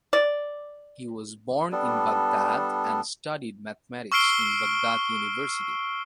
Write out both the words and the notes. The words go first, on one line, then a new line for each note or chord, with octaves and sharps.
He was born in Baghdad and studied mathematics in Baghdad University.
D5
G3 B3 D4 A4
C#6 E6 F6 C7 D7 G7